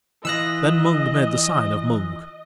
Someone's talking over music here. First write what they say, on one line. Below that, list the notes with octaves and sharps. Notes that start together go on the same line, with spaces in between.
Then Mung made the sign of Mung.
E3 F4 D#5 E6 F#6 A#6